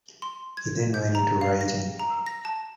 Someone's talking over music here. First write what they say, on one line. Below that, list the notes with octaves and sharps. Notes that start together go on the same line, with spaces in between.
He then went into writing.
C6
G#6
G6
A#5
F5
A#6
A#5
A#6
A5